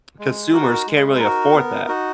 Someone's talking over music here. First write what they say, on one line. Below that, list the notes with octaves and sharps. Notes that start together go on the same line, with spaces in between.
consumers can't really afford that.
G#3
D#4 F#4 A#4
B4
A#4
G#3
B4
D#4 F#4 A#4
B3
D#4 F#4